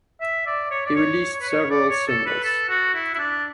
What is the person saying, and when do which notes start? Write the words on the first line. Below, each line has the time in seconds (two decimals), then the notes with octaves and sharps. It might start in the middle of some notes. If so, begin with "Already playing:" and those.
He released several singles.
0.21 E5
0.46 D5
0.71 C#5
0.86 D5
0.96 C#5
1.33 C#5
1.41 B4
1.49 C#5
1.70 D5
1.89 C#5
2.07 A4
2.26 B4
2.44 A4
2.69 F#4
2.94 E4
3.14 E4
3.18 D4